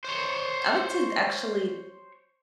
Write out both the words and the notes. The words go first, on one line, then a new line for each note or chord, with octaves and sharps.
I like to actually
C5 C#5